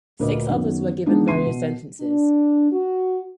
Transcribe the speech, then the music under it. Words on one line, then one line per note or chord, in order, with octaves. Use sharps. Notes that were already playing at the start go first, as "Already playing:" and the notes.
Six others were given various sentences.
D2 A#2 A#3 A#4 B4 D#5
F#2 D#3 F#3 B3
F3 G#3 A#3 B3 D4 D#4
C#2 E3 B3 C6 C7 D#7
B2
D4
F#4